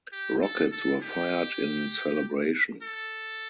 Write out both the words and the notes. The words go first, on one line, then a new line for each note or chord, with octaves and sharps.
Rockets were fired in celebration.
G4
A4
A4
G4
A4